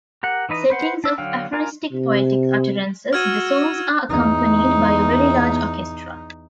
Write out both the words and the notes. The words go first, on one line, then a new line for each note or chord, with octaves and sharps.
Settings of aphoristic poetic utterances, the songs are accompanied by a very large orchestra.
G4 A#4 F#5
E3 D#4 B4 D#5
B4 C5 F#5
D4 E6
D3 F#3 F5 G5
D4 F4 A#4 G#5 A#5
C3
F#4 E6 F6 G#6 D#7
E2 D#4